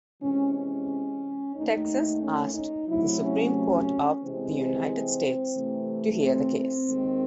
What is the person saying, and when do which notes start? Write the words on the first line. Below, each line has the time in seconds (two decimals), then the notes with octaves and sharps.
Texas asked the Supreme Court of the United States to hear the case.
0.22 C3 E3 G#3 C#4
0.55 C#4
1.55 D#2 D#3 A3 D#4
2.22 C#4
2.55 D#4
2.88 C3 F#3 A3 E4
3.22 C#4
4.22 C3 E3 G#3 C4
5.55 C3 E3 A3
6.22 C4
6.55 C4
6.88 D#2 D#3 G#3